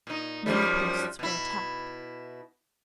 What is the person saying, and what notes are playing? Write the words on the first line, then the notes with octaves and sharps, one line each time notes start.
Many posts were attacked.
A#2 D#4
F#2 F3 G3
B2 E4